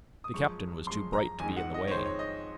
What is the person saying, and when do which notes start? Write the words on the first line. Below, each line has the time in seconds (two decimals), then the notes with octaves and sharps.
The captain was too bright to be in the way.
0.24 D#6
0.34 F#2 F3 G#3 C#6
0.86 F#2 F3 G#3 C6
1.13 A#5
1.40 F2 D#3 G#3 G#5
1.57 F#5
1.74 D#5
1.88 C#5
1.91 F2 D#3 G#3 C5
2.05 C#5
2.19 D#5